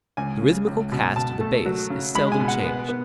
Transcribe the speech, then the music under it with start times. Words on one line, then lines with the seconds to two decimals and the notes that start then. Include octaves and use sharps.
The rhythmical cast of the bass is seldom changed.
0.17 C#2 G#5
0.41 C#3
0.67 C#2
0.92 B2
1.16 B2 A5
1.41 A3
1.66 F#3
1.90 C#3
2.15 G#3 B5
2.32 G#5
2.40 B2
2.48 F#5
2.65 B3
2.89 B3